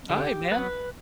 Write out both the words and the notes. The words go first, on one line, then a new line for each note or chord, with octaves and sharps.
Aight, man.
D3 G4
F#3 B3 B4